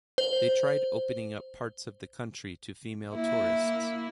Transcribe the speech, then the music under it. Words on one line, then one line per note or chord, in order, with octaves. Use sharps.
They tried opening up parts of the country to female tourists.
C5
A#3 E4